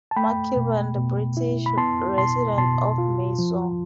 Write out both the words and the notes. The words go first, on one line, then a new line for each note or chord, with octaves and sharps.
Mark Cubbon, the British Resident of Mysore.
A5
A3 G5 B5
B2
B2
E4
B5
B3 A5 C6
B2 A5 C6
B2 A5 C6
F4
F3